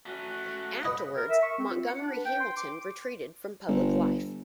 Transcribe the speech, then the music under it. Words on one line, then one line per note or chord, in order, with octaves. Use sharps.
Afterwards, Montgomery Hamilton retreated from public life.
A3 C#4 F#4
B4 D#5 F#5 B5
A#4
E5
C#6
C4
F4
F#5
D4
B4
G5
C6
D6
G1